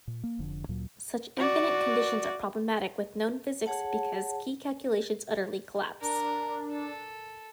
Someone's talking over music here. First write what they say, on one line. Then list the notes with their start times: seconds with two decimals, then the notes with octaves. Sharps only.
Such infinite conditions are problematic with known physics because key calculations utterly collapse.
0.08 A#2
0.23 A#3
0.39 F1 F2 D3
0.69 D2 A#2 F#3
1.37 F#4 D5
3.66 G#4 C#5 F#5 A5
6.01 D4 A#4
6.71 A4